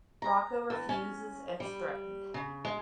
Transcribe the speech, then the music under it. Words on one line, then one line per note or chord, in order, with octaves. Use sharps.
Rocco refuses and is threatened.
A#5
E2
C#4
G3
C#3
G#3